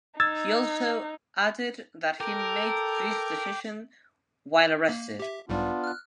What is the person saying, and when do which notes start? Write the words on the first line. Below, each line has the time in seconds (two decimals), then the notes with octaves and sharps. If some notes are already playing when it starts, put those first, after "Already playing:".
He also added that he made this decision while arrested.
0.20 D#4 E6 G#6 A6
2.20 A4 A#4 G5 D6
4.89 A#3
5.20 G4 E5
5.49 B1 G#2 G3 B3 D4 F4
5.84 F6 F#6